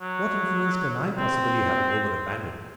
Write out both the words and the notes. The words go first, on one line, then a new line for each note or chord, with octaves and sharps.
"What influence can I possibly have over a bandit?"
F#3
C4